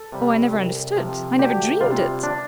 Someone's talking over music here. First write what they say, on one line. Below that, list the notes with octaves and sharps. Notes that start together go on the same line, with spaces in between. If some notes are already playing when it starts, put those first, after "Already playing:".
Oh, I never understood--I never dreamed it!
Already playing: A4
C3 G3
C2
C3 F3
D2 G4
C3 G3 F4
D4